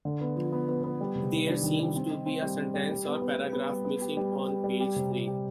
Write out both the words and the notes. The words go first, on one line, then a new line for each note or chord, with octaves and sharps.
There seems to be a sentence or paragraph missing on page three.
D3
B3
F3
B3
B3
B3
G3
C3
D#3
D4
D#3
G3
C4
D#4
C4
G3
C4
G3
G3
B3
B3
B3
B3
G3
B3
G4
G3
G4
G4
G3
G4
C3
G4
G4